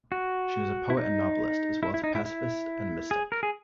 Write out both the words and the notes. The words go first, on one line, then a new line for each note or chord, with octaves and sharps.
She was a poet and novelist, as well as a pacifist and mystic.
F#4
E4
D#4
E4
E4
D#4
E4
E4
G#4
A#4
G#4